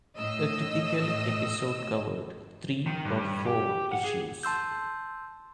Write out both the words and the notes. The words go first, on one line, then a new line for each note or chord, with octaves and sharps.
A typical episode covered three or four issues.
A2 D#5 E6
D#3
G2
G4
F#5
G#4
A5 C6 E6 G6